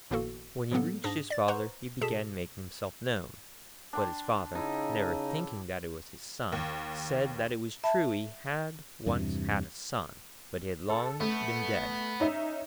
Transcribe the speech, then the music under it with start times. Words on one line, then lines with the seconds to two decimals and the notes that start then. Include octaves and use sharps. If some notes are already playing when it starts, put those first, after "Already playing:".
When he reached his father he began making himself known; but his father, never thinking that it was his son, said that it was true he had once had a son, but he had long been dead.
0.10 G1 A2 E3 A#3 F#4 A4
0.71 A2 E3 F#3 A#3 B3 A4
1.04 G#2 D4 G#4 D#6 A#6
1.30 D5 A6
1.48 B4 C5 F#5 A#5 C6 C#6
2.01 B2 G#4 A4 A5 B6 E7
3.93 D4 G5 C6
4.55 C#3 D#4 E4 A5
6.52 D#2
7.84 E5 A5 B5
9.06 E2 G2 C3
10.89 A4
11.20 A3 B3
12.20 C#4 D#4 E5